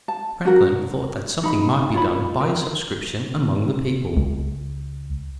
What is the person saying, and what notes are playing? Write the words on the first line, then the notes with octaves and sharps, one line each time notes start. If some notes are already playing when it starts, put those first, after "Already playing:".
Franklin thought something might be done by a subscription among the people.
A5
C#4 F#4 A#4
D#4 B5
F4 C#5 B5
A#4
C#2